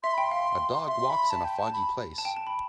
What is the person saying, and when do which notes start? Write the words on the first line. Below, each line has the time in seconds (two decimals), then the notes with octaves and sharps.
A dog walks in a foggy place.
0.03 E5 C6
0.14 G5 B5
0.23 C6
0.31 F5
0.88 E5 C6
1.10 B5
1.30 A5
1.44 G5
1.59 A5
1.73 B5
2.18 A5
2.25 G5
2.36 A5
2.47 B5